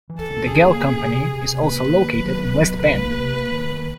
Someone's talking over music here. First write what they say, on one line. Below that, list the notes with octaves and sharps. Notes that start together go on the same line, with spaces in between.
The Gehl Company is also located in West Bend.
E3
A4
C#3
C#4 G#4
A#3
C#3
C3
C3
C3
A#3 B4
A#3
D#3
F#3
B3
F#3
C3 B4
A#3
C3
A#3
D#3
D#3